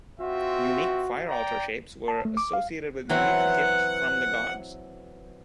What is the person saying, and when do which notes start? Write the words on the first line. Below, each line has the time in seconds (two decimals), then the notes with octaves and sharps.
Unique fire-altar shapes were associated with unique gifts from the Gods.
0.20 C4 F4 F#4 E5
1.28 D5 G5 A#5
2.08 A5
2.25 A3
2.37 D6
2.53 F5
3.09 E3 F#3 C4 F#5